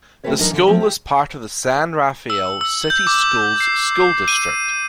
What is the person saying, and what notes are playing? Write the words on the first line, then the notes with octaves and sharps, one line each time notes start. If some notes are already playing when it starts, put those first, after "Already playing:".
The school is part of the San Rafael City Schools school district.
A3 C4 F#4 A4 B4 C#5
E2 F#3 D4 D#4 A#4
D3 E3
F3 F#3 A#3 C4
G4
E6
E6
G6
D6
C7
D#7